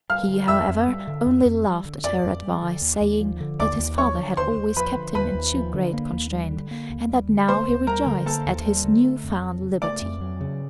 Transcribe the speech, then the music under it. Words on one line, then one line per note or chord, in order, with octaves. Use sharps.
He, however, only laughed at her advice, saying, that his father had always kept him in too great constraint, and that now he rejoiced at his new-found liberty.
G3 F5 F6
D3
F2 E5 E6
F2
G3
D3
F2
F2
G3
D3
F2 D5 D6
F2
G3
D3
D#2
D#2
F3
D3
D#2 D5 D6
D#2
F3 C#5 C#6
D3
D#2 C5 C6
D#2
F3 B4 B5
D3
D#2 B4 B5
D#2
F3
D3
A#3
D#2
G3
D3
A#3
D#2
G3
D3
A#3 C5 C6
D#2
G3 A#4 A#5
D3
A#3 A4 A5
D#2
G3
D3
A3
F2
F#3
C#3
A3 D5 D6
F2
F#3
C#3